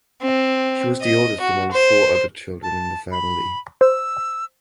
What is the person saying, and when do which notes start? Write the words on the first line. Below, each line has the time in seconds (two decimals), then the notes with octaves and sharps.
She was the oldest among four other children in the family.
0.22 C4
1.02 D#5
1.41 F#4
1.71 C5
2.63 A5
3.11 B5
3.81 C5 E6